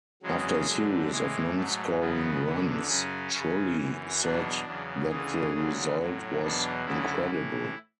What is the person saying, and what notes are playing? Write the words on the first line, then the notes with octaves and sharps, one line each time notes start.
After a series of non-scoring runs, Trulli said that the result was 'incredible'.
E2 C#3 F#3 G#3
F#2 D3 F#3
A2 E3 G#3
G#2 F#3 A3
F#2 C#3 F#3 B3
E2 D3 F#3
F#2 C#3 F#3 C#4
F#2 C#3 F#3
F#2 E3
E2 B2 F#3 D4
E2 C#3 F#3
D2 C#3 E3 G#4
D2 C#3 F#3
A2 F#3
E2 B2 F#3 D4
D2 C#3 F#3 E4
A2 E3